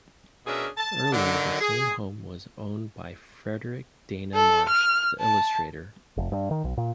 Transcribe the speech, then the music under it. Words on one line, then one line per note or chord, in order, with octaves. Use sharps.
Earlier, the same home was owned by Frederic Dana Marsh, the illustrator.
B2 C#4 D4 G#4 A#4 E5
A5
D3 D#3 F#3
G#4
A4
F6
A5
F1
G2
D#3
B1
A#2